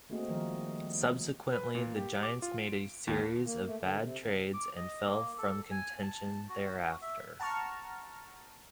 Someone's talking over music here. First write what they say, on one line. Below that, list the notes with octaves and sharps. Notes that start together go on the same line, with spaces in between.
Subsequently, the Giants made a series of bad trades and fell from contention thereafter.
A3 A#3 C4 F#4 G#4 D#5
D#3 F3 G3 G#3 A#4
B4
A#2
G4
D6
F4
D7
D#2
A#3
A3
D3
C3
C#3
D6
D#5
A#3
A4
G#5
A5
F#4
E5
F#5 A5 A#5 C#6 F6